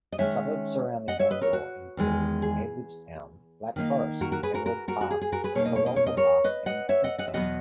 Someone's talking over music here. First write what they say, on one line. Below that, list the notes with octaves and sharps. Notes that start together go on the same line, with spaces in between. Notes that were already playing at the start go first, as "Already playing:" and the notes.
Suburbs surrounding Glandore include Edwardstown, Black Forest, Everard Park, Kurralta Park and Plympton.
D#5
D#3 G#3 C#4 C#5 E5
D#5 F#5
C#5 E5
B4 D#5
A#4 C#5
F#4
E2 D#3 G#3
G#4
D#3 A#3 D#4
F#4 A#4
F#4 A#4
G#4 B4
F#4 A#4
F#4 A#4
F#4 A#4
F#4
G#4
G#4
F#4 A#4
G#4 B4
B2 A#3 D#4 C#5
D#5
C#5
D#5
C#5
D#5
A#4 C#5
B4 D#5
D#5 F#5
C#5 E5
D#5 F#5
D#5 F#5
E5
E2 B2 F#3 B3 D#5 F#5